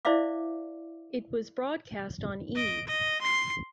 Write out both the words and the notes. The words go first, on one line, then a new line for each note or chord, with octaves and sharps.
It was broadcast on E!
E4 C5 D5 E5 F5 D6
D#5 D7
D#5
C6 C7